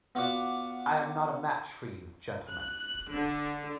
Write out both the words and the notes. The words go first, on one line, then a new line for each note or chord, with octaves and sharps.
I am not a match for you, gentlemen.
B3 F4 F#4 D5 F#5 D6
F#6
D3